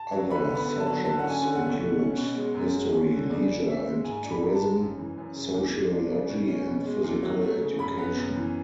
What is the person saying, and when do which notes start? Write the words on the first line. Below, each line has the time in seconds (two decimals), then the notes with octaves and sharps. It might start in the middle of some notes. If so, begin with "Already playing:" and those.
Other subjects include History, Leisure and Tourism, Sociology and Physical Education.
Already playing: A5
0.12 F#3
0.30 D3 B5
0.49 B3
0.55 B5
0.68 D3
0.80 A5
0.86 F#3
1.05 D3 A5
1.19 C#4 F#5
1.30 G#5
1.42 D3
1.55 F#5
1.62 A3
1.80 B2
1.99 C#4
2.18 B2
2.36 G#3
2.54 F#2
2.73 G#3
2.92 C#4
3.11 D3
3.30 C#3 D5
3.49 D4
3.67 C#3 E5
3.86 G#3
4.04 G#2 G#5
4.24 D4
4.30 B5
4.42 G#2
4.54 A5
4.60 G#3
4.80 F#2
4.98 E3
5.17 F#2
5.36 C#3
5.54 E2
5.73 G#3
5.92 D4
6.11 C#3
6.30 B2
6.48 C#4
6.67 B2
6.86 G#3
7.04 E2
7.23 F#3
7.42 A3
7.60 C#3
7.79 F#2 B5
7.98 B3
8.17 F#2
8.36 E3